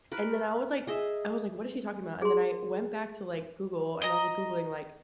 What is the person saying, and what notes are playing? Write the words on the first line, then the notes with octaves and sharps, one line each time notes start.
And then I was like I was like, "What is she talking about?" And then I went back to, like, Google and I was like googling, like,
A#4 B4
G#4 D#5 E5
G#4 C6
D#5 A#5